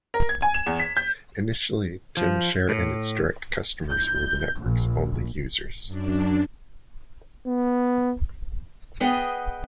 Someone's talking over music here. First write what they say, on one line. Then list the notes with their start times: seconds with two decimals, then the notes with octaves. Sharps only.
Initially, Tymshare and its direct customers were the network's only users.
0.14 A#4
0.29 G#6
0.42 G#5
0.54 E7
0.66 E2
0.80 B6
0.97 G6
2.17 F3
2.69 A2
3.92 G6
4.61 A#1
5.85 F#2 D4
7.46 B3
9.00 B3 G#4 B4 D#5 G5